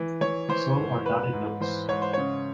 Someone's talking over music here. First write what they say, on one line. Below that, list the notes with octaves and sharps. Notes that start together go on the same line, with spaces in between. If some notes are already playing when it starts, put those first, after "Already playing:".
So are dotted notes.
Already playing: E3
E3 C#5
E3 C5
G#2
G#2 B4
G#2
E3 C5
G#2 C#5
C5
C#3 C#5